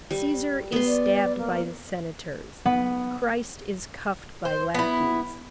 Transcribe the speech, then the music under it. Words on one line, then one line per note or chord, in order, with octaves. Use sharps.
Caesar is stabbed by the senators; Christ is cuffed by lackeys.
G3
B3 C6
D5
A#3
B3
C5
B3 E4